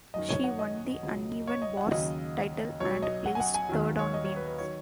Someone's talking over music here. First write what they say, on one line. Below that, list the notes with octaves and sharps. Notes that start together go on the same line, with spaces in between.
She won the uneven bars title and placed third on beam.
G#1 F#2 D#3 D#5
C#5
F#5
D#5
C#2 B2 F#3
C#5
D#5
F#5
D#2 C#3 F#3 D#5
B1 B2 F#3 C#5
D#5
F#5
G#5
F#5
G#5
D#2 D#3 F#3
C#5
D#5
C#5
B4
B4
D#3 F#3 C#5